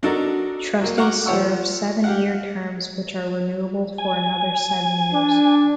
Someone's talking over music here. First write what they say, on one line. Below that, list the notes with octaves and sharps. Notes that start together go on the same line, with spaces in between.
Trustees serve seven-year terms, which are renewable for another seven years.
F#3 D4 D#4 F#4 A4 A#4
F#3 A#3
F5 F#5 A#5 C#6 D6
F3 G4 C#5 F#5 C#6 E6
G4 F5 F#5
G#5
D4